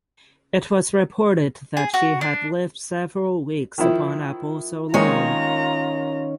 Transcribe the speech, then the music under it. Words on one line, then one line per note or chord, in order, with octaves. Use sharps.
It was reported that she had lived several weeks upon apples alone.
G#4
F#4
D4
D#3 F3 E4
D#3 G#3 A#3 C#4 F4 C#5 A#5